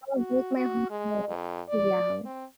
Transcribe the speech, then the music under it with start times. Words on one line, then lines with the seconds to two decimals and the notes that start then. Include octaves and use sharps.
that would break my heart, yeah, um,
0.17 F#4
0.57 F#4
0.90 G#3
1.29 F2
1.69 D5
2.26 C4